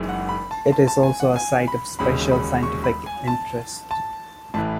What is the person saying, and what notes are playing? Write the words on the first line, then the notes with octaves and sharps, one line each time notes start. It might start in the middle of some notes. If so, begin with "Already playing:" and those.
It is also a Site of Special Scientific Interest.
Already playing: F#1 F#2 E3 G#3 D#4
F#5
B5
A5
A5
A5
G#5
F#5
G#5
B5
E1 D#2 C#3 B5
B5
C#6
B5
G#5
A5
A5
A1 A2 E3 A5